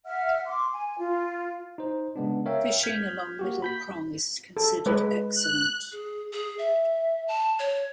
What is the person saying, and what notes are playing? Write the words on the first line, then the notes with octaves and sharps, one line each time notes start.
Fishing along Middle Prong is considered excellent.
E5 F#5 F6
C6 D6
G#5
F4
D#4 C5
C#3 G#3 B3 D4
A#4 C#5 E5 F5 G5
F6 G6 G#6 B6
A#3 F#4 G4
B5 G6 B6
A4
G#3 B4
F#6
G#4
G#4
E5
A5
C#5